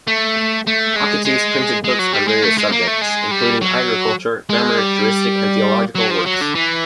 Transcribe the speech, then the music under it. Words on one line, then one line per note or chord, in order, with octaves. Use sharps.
Achates printed books on various subjects, including agriculture, grammar, juristic and theological works.
A3
A3
G#3
G#3
G#3
F#3
G3
G#3
A3
G#3
A#3
A3
G#3
G3
F#3
G#3
G3
F#3
F3
F#3
D3
E3